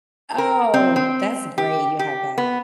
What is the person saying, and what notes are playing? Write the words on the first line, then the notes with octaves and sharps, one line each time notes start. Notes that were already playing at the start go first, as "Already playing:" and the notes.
Oh, that's great you have that.
A#4
C4
C4
G4
G4
B3